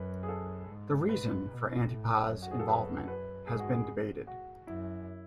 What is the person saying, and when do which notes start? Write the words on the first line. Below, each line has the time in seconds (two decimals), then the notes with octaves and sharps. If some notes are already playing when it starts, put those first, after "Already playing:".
The reason for Antipas' involvement has been debated.
Already playing: F#2 B4
0.23 G#4
0.28 A4
0.69 G#2
1.09 B4
1.49 B2
1.88 A2
2.28 F#2
2.42 F#4
2.51 G#4
2.59 A4
2.68 B4
3.08 B4
3.47 G#2 G#4
3.59 F#4
3.72 G#4
4.27 F#4
4.67 F#2 E4